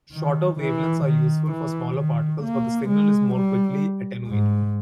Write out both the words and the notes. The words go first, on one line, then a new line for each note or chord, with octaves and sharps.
Shorter wavelengths are useful for smaller particles, but the signal is more quickly attenuated.
D#3
E3
D#3
E3
D#3
A#3
G#3
G3
G#2